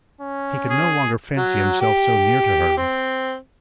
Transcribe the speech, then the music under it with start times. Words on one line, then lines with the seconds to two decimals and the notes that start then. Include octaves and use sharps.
He could no longer fancy himself so near to her.
0.21 C#4
0.70 G#4
1.37 F#3
1.81 G4
2.78 C4